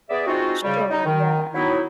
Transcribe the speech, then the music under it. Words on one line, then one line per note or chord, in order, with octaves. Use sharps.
Sure, yeah.
B3 G#4 D5 E5
G#3 C4 D#4 F4 F#4
C#3 G3
D#4
D#3
F#3 B3 D#4 E4